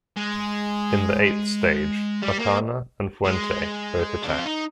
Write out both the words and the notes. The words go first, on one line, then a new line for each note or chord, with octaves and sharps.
In the eighth stage, Ocana and Fuente both attacked.
G#3
G3
A#3
G#3
D4
C4
F4
D#4